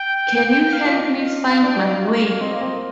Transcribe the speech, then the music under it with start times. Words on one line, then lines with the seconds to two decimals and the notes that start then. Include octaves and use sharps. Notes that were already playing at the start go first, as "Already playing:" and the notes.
Can you help me find my way?
Already playing: G5
0.73 F5
0.84 F4 D#5
1.24 F5
1.62 D4 G5
1.83 D#5
1.89 F5
2.06 D#5
2.15 F5
2.41 C4 D#5
2.51 A#3
2.61 C4